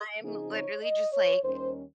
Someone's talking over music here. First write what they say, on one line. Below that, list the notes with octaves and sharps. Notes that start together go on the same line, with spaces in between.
I'm literally just like
C#3 F3 C4 D#4 G#4
C#5
D#5
C#5
D#2 D#3 G3 C#4 C5